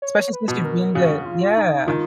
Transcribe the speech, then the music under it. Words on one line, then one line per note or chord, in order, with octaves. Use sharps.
especially since you've been the yeah.
C#5
B4
B2
A#4
C#3 F#4
F#4
F4
D#4
D#3 F4